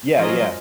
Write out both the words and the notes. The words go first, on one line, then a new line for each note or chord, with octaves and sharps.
Yeah, yeah.
F3 C#4 F4 A#4 D#5
F#3
G#3